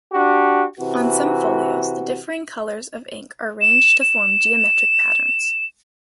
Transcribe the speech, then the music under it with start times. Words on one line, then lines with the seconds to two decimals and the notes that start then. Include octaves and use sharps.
On some folios, the differing colors of ink are arranged to form geometric patterns.
0.13 D4 F#4 G4
0.80 C3 E3 F#4
3.61 E7
4.01 E7